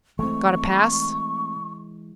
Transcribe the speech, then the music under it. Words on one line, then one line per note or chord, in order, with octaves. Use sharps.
"Got a pass?"
E3 G#3 A3 C4 C#6